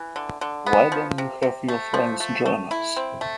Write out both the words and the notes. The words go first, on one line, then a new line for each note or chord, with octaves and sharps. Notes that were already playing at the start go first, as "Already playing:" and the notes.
Why don't you have your friends join us?
Already playing: E3
D3
D3
B3
F3
C3
C3
A3
F3
A3
A3
E4
C4
A3